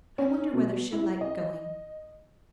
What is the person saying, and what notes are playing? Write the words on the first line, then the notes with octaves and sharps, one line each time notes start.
I wonder whether she'll like going.
C#4
B2
E4
D#5